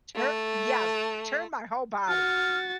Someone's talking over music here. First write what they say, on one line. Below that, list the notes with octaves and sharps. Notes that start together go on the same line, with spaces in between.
tur yes. Turn my whole body.
A3
F#4 F6 A6